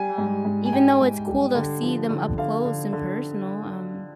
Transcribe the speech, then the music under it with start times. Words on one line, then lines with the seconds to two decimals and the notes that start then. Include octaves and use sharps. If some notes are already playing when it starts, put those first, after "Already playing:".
um, even though it's cool to see them up close and personal, um,
Already playing: G3 G#5
0.18 G#2
0.45 G#2
0.65 G#5
0.73 G#2 G5
1.01 G#2
1.27 G3
1.55 D3
1.83 F3
2.10 D3
2.38 D3 F5
2.65 D3
2.93 D3